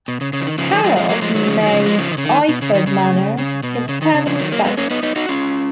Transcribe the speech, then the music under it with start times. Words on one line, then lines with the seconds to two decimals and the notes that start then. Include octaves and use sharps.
Harold made Iford Manor his permanent base.
0.08 B2
0.21 C#3
0.33 C#3
0.40 F3
0.46 D#3
0.58 C#3 F3
0.71 D#3 F#3
0.84 F3 G#3
0.97 F3 G#3
1.09 F#3 A#3
1.22 F3 G#3
1.34 D#3 F#3
1.47 C#3 F3
1.60 D#3
1.66 F#3
1.73 C#3 F3
1.85 F3 G#3
1.98 C#3 F3
2.11 D#3
2.18 C#3
2.24 D#3
2.49 B2
2.62 C#3
2.74 D#3
2.87 C#3
3.38 C#3
3.63 B2
3.89 C#3
4.02 D#3
4.14 C#3
4.27 C#3 F3
4.39 D#3 F#3
4.52 F#3 A#3
4.64 G#3 B3
4.77 A#3 C#4
4.90 B3 D#4
5.03 B3 D#4
5.16 D#4 F#4
5.29 C#4 F4